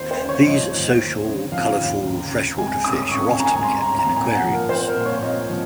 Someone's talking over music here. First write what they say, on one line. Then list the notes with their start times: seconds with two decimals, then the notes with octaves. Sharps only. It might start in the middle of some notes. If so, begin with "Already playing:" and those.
These social, colorful freshwater fish are often kept in aquariums.
Already playing: D#2 C5
0.11 C5
0.21 C#3
0.29 C#5
0.46 F3 D#5
0.73 D#2
1.00 D#2
1.26 C#3
1.52 F3 F5
1.79 D#2
2.05 C#2
2.31 C#3
2.58 G#3 G#5
2.84 C#4 D#6
3.11 C#2 C#6
3.29 G#5
3.37 C#3 A#5
3.46 G#5
3.64 G#3 C6
3.82 A#5
3.90 C#4
3.99 A#5
4.16 A#2 G#5
4.34 F#5
4.44 F3
4.52 A#4
4.69 A#3 C5
4.88 A#4
4.96 A#2
5.06 C#5
5.22 A#2 D#5
5.50 F3